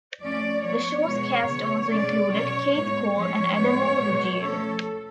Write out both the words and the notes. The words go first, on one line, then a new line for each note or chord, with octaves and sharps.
The show's cast also included Keith Cole and Adamo Ruggiero.
F3 A3 C#4 D5
F3 B3 C#5
B2 G#3 B3
C#3 F3 B3
B2 G#3 C#4 D5
B2 F#3 C#4 C#5
A2 G#3 B3 C#5
F3 G#3 C#4 C#5
A2 G#3 B3
B2 G#3 B3
F3 A3 C#4 A4